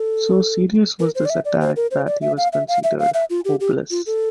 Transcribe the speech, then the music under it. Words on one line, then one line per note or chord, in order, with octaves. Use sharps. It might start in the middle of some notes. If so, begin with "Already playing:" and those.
So serious was this attack that he was considered hopeless.
Already playing: A4
A#4
C5
D5
E5
D5
C5
A#4
C5
D5
E5
F5
E5
F5
E5
F5
E5
F4
G4
G4
F4
A4